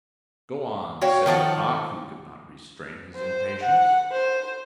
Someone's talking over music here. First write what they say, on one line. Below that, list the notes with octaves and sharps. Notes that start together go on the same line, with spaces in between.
"Go on!" said Lecoq, who could not restrain his impatience.
F#4 C#5 F5 G5
D#3 F3 A4 F#5
C5
F#5
C5